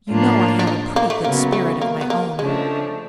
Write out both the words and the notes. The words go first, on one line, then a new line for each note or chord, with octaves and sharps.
You know I have a pretty good spirit of my own.
A2 F3 A#3 D4 F4
D4
D#4
A#3
A3
C#3 F#3 A#3 B3
A3
A#3
B3
A#3
C#3 F3 G#3 A3 D4